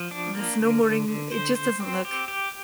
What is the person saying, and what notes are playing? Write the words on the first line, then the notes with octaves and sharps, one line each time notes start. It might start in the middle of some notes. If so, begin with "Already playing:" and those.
the snowboarding, it just doesn't look
Already playing: F3
D4
A#3
D3
D3
D3
C5
C5
C4
G4
G4